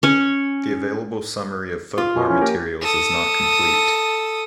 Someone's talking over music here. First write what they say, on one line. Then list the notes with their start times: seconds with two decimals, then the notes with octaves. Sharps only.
The available summary of folklore materials is not complete.
0.03 C#4 C#5
1.98 F4
2.16 B2 G#5 C6
2.28 F3 C#4 E4
2.41 A#3 G4 A#4
2.81 A4 D#6